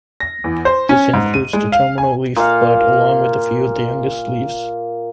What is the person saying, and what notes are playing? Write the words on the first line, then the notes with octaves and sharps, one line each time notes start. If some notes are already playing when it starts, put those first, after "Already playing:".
This includes the terminal leaf bud along with a few of the youngest leaves.
A#6
E2
C5
C#4
G#2
D#7
G#3
F5
G#5
A#2 F5